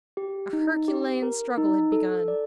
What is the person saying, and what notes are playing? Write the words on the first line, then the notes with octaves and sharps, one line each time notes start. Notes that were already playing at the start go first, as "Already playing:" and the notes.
A herculean struggle had begun.
G4
D#4
G4
A#4
D#4
A4
D5